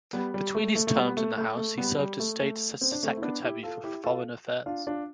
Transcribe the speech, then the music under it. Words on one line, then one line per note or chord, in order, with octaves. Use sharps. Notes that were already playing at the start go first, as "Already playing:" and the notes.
Between his terms in the House he served as State Secretary for Foreign Affairs.
G3 B3
G3
A3
A3
A3
G3 B3
A3
A3
A3
G3 B3
G3
A3
A3
C4
D4
A3 C4
E4
B3 D4
E4 G4
F4 A4
E4 G4
F4 A4
D4 F4
D4 F4